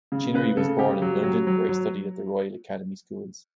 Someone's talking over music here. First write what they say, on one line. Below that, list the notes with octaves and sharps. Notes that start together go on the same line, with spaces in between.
Chinnery was born in London, where he studied at the Royal Academy Schools.
C#3
C#3 B4
C#3 A4
C#3 G4
F#3
F#3
F#3
F#3